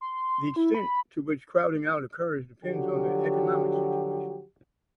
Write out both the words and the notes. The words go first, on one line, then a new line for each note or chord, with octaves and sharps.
The extent to which crowding out occurs depends on the economic situation.
C6
E4
B5
D3 F3 F#3 F#4 G4